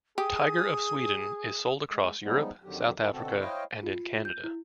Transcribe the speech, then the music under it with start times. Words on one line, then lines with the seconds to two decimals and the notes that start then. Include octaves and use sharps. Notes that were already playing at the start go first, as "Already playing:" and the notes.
Tiger of Sweden is sold across Europe, South Africa and in Canada.
0.18 G4 G#4 D#6
1.91 G#3
2.24 F3 G3 G#3 B3 D#4
2.64 F2 D3 D#3 F#3 G4
3.00 D2 G2 F3 E4 A#4 G5
3.12 B2 D3 C4 F#4 A4
3.40 E4 C5 C#5 D#5 F5 G5
3.83 F4
4.25 G6
4.44 E4